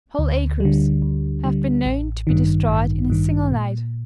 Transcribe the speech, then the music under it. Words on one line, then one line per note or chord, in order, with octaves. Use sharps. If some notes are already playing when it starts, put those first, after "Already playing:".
Whole acres have been known to be destroyed in a single night.
D2
D3 G3
D2
D3 G3
A1
G2 D#3
A1
G2 D#3
A#2